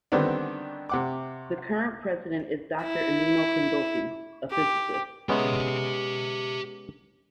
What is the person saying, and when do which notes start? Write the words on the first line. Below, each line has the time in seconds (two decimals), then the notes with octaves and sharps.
The current president is Doctor Ennio Candotti, a physicist.
0.12 D3 D#3 G3 B3 C4 D4
0.89 C3 F#5 D6
2.83 E4
4.51 G4
5.29 G#3 B3 C#4 G4 E5